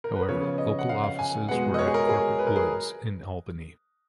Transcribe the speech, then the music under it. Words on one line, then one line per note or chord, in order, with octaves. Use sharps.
However, local offices were at Corporate Woods in Albany.
A#4
B4
C#3 F3 B3 C#5
D#5
F#5
F5
F5
G#5
B2 G#3 B3 F#5
D#5
C#5
G#4
A#4
G#4
B4
A#4
G#4